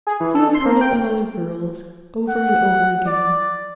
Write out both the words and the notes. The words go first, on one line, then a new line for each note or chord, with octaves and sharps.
You have heard it of other girls, over and over again.
G#4
E3
A4
C6
A#3
G5
F#5
D5